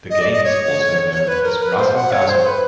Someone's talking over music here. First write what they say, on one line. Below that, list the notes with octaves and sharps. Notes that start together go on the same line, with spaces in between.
The game is also known as Razzle-Dazzle.
D#5
D5
D#5
C#5
C#5
B4
A#4
B4
C5
F#5
C#5
C5
B4